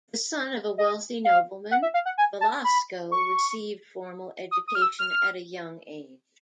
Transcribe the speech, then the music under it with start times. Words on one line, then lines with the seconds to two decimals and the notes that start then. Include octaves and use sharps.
The son of a wealthy nobleman, Velasco received formal education at a young age.
0.78 D#5
1.25 F5
1.71 F#5
1.82 E5
1.94 F5
2.06 F#5
2.18 G#5
2.41 A5
2.64 B5
3.12 C#6
4.51 D#6
4.67 D#6
4.75 F6
4.82 E6
4.99 F6